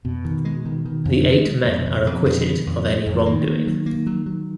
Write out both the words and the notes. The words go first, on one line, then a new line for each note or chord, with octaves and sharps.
The eight men are acquitted of any wrongdoing.
F2 B2
D#3
G#3
D#3
D#3
F2
D#3
G#3
F2 B2
F2
F2
F2
D#3
F2
G#3
F2
F3
D#3 A#3
A#3
F#3
A#3
F#3
F#3